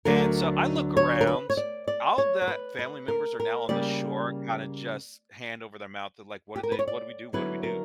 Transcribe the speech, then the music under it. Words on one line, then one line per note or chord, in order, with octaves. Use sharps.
and so I look around. All the family members are now on the shore kinda just hand over their mouth to like, what do they "What do we do, what do we do?"
D2 D3 F#3 A#4
C#5
A#4
B4
C#5
D5
D5
C#5
C#5
B4
B4
A#4
A#4
C#3 G3 A#3 D5
G4
A#4
B4
C#5
D5
D3 F#3 B3 E4 B4
A#4